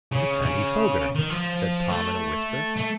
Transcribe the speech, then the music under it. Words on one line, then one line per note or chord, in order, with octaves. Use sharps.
"It's Andy Foger!" said Tom, in a whisper.
C#3
C#3
D#3
F3
A3
A3